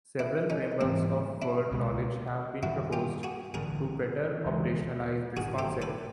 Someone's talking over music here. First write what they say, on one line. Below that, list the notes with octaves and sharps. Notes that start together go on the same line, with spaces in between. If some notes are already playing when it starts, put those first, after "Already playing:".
Several frameworks of word knowledge have been proposed to better operationalise this concept.
D4 E4
C#4 D#4
G#2 E3 G3 A#3 C4 D4
D4 E4
C#2 B2 G#3 B3
G2 D#3 G3 E4 F#4
F4 G4
F#4 G#4
A1 G2 D3 G#4 A#4
D#2 C#3 E3 G#3
G#1 G2 D#3 F#4 G#4
G4 A4
A4 B4